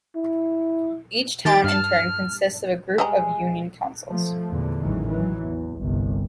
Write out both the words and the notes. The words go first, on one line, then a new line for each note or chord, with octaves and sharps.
Each town in turn consists of a group of union councils.
E4
D#3 G4 A6 D7
G2 A5 F6
G3 G#3 D#5 A#5
F3 A3
E2 A#2 D3
A1 D#3 E3 F#3 G#3
E3 F#3
E2
G1 C2